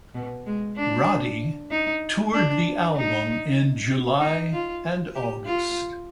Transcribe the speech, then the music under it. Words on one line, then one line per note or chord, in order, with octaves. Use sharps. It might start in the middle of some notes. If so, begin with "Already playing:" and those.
Roddy toured the album in July and August.
B2
G#3
D4
D#4
D4
D#4
D#4
F4
G4
F4